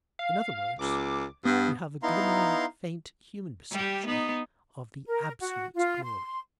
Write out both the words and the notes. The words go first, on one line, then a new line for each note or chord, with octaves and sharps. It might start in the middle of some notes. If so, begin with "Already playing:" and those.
In other words, we have a glimmering, faint, human perception of the absolute glory.
F5
C#2 D6
G2 B3
B3 D#4 E4 F5 A#5 C6
G3 G4
B3 D#4
A#4
F#4
F4
C6